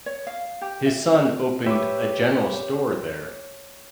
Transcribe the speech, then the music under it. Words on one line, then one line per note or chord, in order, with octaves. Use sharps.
His son opened a general store there.
C#5
F5
G4
E5
G4 B4 C#5 E5 D6